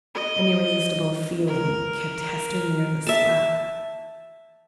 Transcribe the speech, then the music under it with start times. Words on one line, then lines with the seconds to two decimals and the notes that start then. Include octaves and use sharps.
An irresistible feeling kept Hester near the spot.
0.15 D#5
1.47 A#4
2.13 A#4
3.07 E5 A5